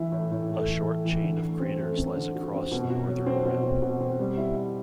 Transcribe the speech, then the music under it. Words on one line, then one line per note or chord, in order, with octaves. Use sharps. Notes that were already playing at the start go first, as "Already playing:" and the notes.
A short chain of craters lies across the northern rim.
Already playing: E3 E4
A2
A2
A3
E3
A3
E3
D3
A3
C4
A3
C4
D3
F#4
C4
B2
F#4
F#3
C4
B2
C4
B2
C4
G3
E4
E4